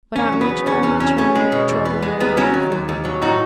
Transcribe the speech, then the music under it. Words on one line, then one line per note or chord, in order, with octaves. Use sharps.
But Aunt Rachel only turned the betrothal ring on her finger.
E2 C#4
F#3
B3
C#3
E2 C#4
E2 C#4
F#3 C#4
B3 C#4
G#3
B2
E2
B3
G#3
D#2 B3
F#3 C#4
D#3
D#2
D#2
F#3
A2 D#4 F#4